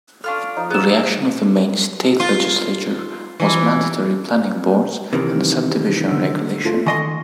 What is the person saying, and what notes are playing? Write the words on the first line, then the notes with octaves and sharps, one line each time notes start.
The reaction of the Maine State Legislature was mandatory Planning Boards, and subdivision regulation.
D4 F4 A4 C#6 F6
F3 D#4
B3 G#4 E6 E7
F4
E3
C3 D#3 E3
D3 E6
A3 F4
D#3 D#5 G#5 C6 C#6